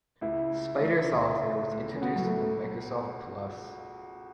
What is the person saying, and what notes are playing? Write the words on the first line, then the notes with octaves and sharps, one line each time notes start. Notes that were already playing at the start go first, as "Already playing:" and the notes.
Spider Solitaire was introduced in the Microsoft Plus!
C#2 E4
C#2
C#2
C#2
A3
C#2
C#4
B2 B3
F#3
A3